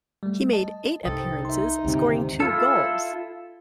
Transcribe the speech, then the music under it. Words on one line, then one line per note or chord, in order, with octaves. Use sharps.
He made eight appearances scoring two goals.
G3 A3
D#5 A5
C2 G#2 A4 C5 G5 D#6
D#4 E5 C6
D2 G#2 C3 D#3
E4 F4 A4